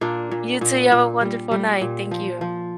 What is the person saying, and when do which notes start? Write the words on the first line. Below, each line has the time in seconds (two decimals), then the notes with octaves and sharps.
You too. You have a wonderful night. Thank you.
0.01 A#2 A#3 D4
0.31 A#2
0.61 A#2
0.92 A#2
1.21 G3
1.51 G3
1.81 A#2
2.11 F3
2.41 F3